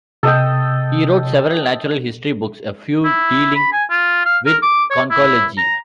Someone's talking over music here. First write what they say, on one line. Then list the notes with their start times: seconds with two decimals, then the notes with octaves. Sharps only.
He wrote several natural history books, a few dealing with conchology.
0.23 C3 A4 D#5 G5
3.05 E4
3.55 B5
3.73 G#5
3.90 F4
4.25 F5
4.46 A#4
4.62 D6
4.90 C#5
5.11 E4
5.58 A#5